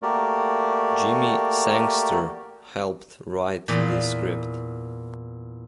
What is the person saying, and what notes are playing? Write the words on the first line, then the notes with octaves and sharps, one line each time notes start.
Jimmy Sangster helped write the script.
A3 A#3 F#4 G4 A#4 D5
E2 A#2